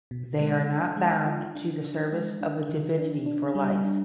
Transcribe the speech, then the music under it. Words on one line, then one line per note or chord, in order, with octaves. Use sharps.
They are not bound to the service of the divinity for life.
B2
G#3
D4
G#3
F4
D4
D4
G#3
D4
D#3
D4
D4
G3
D4